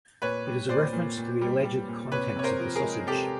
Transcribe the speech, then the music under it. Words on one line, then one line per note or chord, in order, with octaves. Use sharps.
It is a reference to the alleged contents of the sausage.
A#2 B4 C#5
G3
A#2 C5 D5
A#2
A#2
G3
G3
A#2
C3 B4 C#5
C3 C#5
A#4 C5
F3
G#4 A#4
G#3
C3 G4 A4